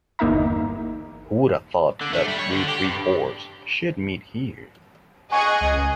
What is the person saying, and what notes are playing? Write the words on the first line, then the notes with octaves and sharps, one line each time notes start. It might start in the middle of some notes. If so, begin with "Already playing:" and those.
Who would have thought that we three whores should meet here.
G1 E2 A#3 D#4 E5 A#5
D3
A3
G3
C#5
D3
G4
G2
G#4 D#5 F#5 G#5 C#6
C#2